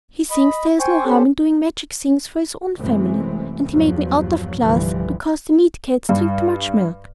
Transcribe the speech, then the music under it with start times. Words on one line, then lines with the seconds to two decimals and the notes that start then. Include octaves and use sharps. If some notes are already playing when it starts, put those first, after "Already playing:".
He thinks there's no harm in doing magic things for his own family, and he made me out of glass because the meat cats drink too much milk.
0.31 D#5 B5
0.80 C5 G5 G#5 C6 C#6
1.05 C#4 G4 A4 C5
2.78 F#2 C3 E3 G#3 A3 C4
3.74 E2 G2 F3 F#3
4.60 C2 G2 D3 E3 F3 G3
6.09 G2